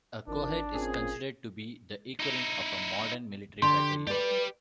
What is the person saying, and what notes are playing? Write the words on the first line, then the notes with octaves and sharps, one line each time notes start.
A cohort is considered to be the equivalent of a modern military battalion.
G#1 F2 D#3 D4 A#4
A#2 C4 C#4 G#4
D#4 E4
D3 G4 D5 C6
G4 B4 D5 B5